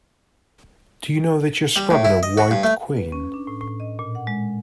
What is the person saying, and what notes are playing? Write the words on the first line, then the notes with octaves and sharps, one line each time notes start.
Do you know that you’re scrubbing a White Queen?
G3
A2
E4
D#5
F#4
G2
A3
B4
C#4
D4
A2
A2
D#5
A#2
F#5
G#3